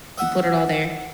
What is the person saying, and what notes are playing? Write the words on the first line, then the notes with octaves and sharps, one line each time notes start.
you put it all there,
D#5 E5 F#5